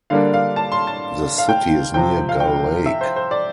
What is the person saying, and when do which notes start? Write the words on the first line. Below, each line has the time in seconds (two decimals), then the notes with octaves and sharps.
The city is near Gull Lake.
0.10 D3 G3 A#3 D4 F5
0.34 F5
0.56 A5
0.72 C6
0.87 A5
1.38 F5
1.49 G5
1.94 C3 F3 C4 G5
2.29 F5
2.40 G5
2.86 E5
3.01 C5
3.16 C5
3.31 D5